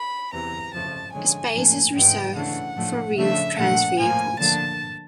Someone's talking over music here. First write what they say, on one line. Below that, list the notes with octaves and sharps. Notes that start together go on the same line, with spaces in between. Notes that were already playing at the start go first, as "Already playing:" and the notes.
A space is reserved for Wheel-Trans vehicles.
Already playing: B5
E2 C3 E3 A#5
F2 C#3 F3 A3 A5
D3 F3 G#3 C#4 G#5
A2 F3 A#3 D4
G#2 E3 G#3 B3 G5
C#3 E3 A3 D4 F#5
A2 F3 A3 D4
C#3 F3 A3 D4 E5
A#2 F3 A3 D4 F#5
A2 F3 A#3 G#5
D3 F3 A#3 D4 A5